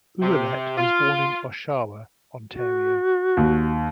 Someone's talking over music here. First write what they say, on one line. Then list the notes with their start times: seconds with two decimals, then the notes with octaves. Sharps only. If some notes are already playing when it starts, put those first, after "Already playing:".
Ouellette was born in Oshawa, Ontario.
0.22 C3
0.78 F4
2.52 F#4
3.37 D#2